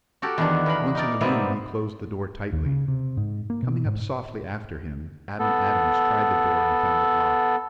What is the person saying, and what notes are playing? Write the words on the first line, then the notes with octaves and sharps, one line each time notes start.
Once in the room, he closed the door tightly. Coming up softly after him, Adam Adams tried the door and found it locked.
F#4 G4 A4 A#4
E2 D#3 D4
E2 G#4 A#4 B5
D#4 A#4 D5
G#2 C3 A#3 B3 E5
D#2
C#3
C3
G#2
A#3
B2
G#2
B3 A4